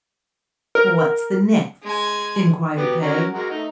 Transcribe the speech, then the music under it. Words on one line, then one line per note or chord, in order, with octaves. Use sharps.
'What's the next?' inquired Peg.
A#4
G#3 G#5
F#3 B3 G4
C#4 F#4 A#4
G#3 F#4 A#4
A3 D#4